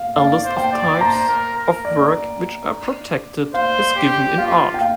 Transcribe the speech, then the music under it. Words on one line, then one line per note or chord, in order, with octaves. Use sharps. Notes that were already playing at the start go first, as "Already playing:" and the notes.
A list of types of work which are protected is given in Art.
Already playing: F5
D5 F5
C5
G5
D5
C5 A#5
A#4
A#4
D5
C5 F5
G4
F4 F5
G5
F5